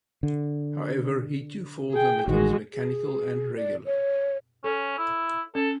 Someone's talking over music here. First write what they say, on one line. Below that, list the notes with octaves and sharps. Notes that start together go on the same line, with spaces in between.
However, he too falls and becomes mechanical and regular.
D3
G#4 G5
A1 D#3 G#3 F#4
G#4
D5
C#5
C#4 A4 C#5
E4
C#4 A4